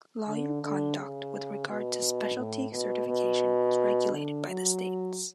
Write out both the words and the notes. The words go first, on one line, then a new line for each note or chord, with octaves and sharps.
Lawyer conduct with regard to specialty certification is regulated by the states.
D3
D3
C#3
B2
A2
B2
B2
D3
F#3